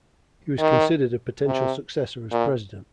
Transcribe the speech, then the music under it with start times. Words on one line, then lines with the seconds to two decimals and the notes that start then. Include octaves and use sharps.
He was considered a potential successor as President.
0.59 D#3
1.46 C3
2.32 A#2